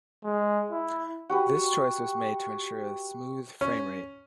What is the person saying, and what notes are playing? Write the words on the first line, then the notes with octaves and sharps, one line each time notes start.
This choice was made to ensure a smooth frame rate.
G#3
E4
F#4 G4 B4
C#4